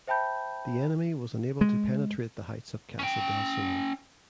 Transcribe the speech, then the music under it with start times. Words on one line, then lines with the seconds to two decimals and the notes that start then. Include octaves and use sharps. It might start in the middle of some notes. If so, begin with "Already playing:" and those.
The enemy was unable to penetrate the heights of Casa del Sole.
0.07 C5 E5 G5 A5 B5 G6
1.61 G#3
2.99 C#4 G5